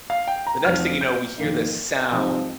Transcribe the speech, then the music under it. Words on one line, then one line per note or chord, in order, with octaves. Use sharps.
the next thing you know, we hear this sound
F5
G5
A#5
F1 F2 F3 C4 D#4 F6
G6
F2 D#3 A#3 D#4
C3 F3 C4 D#4